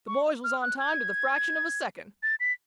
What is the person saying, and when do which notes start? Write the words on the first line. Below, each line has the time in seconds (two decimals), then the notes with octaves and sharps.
The boys was on time to the fraction of a second.
0.08 C#6
0.44 F6
0.62 F#6
0.79 G#6
2.23 A6
2.40 B6